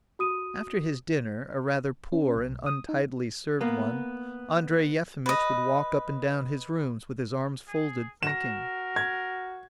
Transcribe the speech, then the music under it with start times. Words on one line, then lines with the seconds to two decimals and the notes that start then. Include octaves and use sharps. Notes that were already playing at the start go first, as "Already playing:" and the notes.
After his dinner--a rather poor and untidily served one--Andrey Yefimitch would walk up and down his rooms with his arms folded, thinking.
0.19 F#4 D#6 D#7
2.12 C#4
2.36 B1
2.66 D#6
2.89 D#4
3.61 A#3 B3
5.26 B4 D#5
7.68 G#4
8.23 F#4 A#4 A#6 E7
8.96 G#6